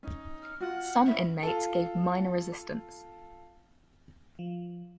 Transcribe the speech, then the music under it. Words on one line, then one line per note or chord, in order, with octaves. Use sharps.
Some inmates gave minor resistance.
C#4 D#4
F6
F4 F#4 F#5
C#4 E4 E5 B5
F4 A4
F3